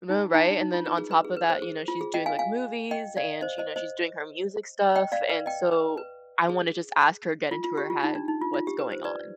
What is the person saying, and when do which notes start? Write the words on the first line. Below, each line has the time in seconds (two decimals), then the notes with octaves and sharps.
No, right, and then on top of that, you know, she's doing, like, movies, and, you know, she's doing her music stuff, and so I wanna just ask her, get into her head, what's going on.
0.10 D#4
0.34 D#4
0.48 D4
0.61 D#4
0.73 F4
0.86 B4
0.98 G#4
1.11 B4
1.25 G#4
1.37 B4
1.50 C5
1.62 G#4
1.88 F4
2.01 G#4
2.14 D#5 G5
2.26 F5 G#5
2.39 F5 G#5
2.91 D#5 G5
3.17 D5 F5
3.41 C5 D#5
3.58 C5 D#5
3.76 C5 D#5
4.96 D#5 G5
5.12 D5 F5
5.30 B4 D5
5.46 D#5 G5
5.72 B4
5.97 B4
6.50 G#4
7.51 F4
7.64 F4
7.77 G4
7.90 F4
8.03 D#4
8.15 D4
8.28 D#4
8.42 F4
8.54 F4
8.67 G4
8.79 B4
8.92 C5
9.04 B4 D5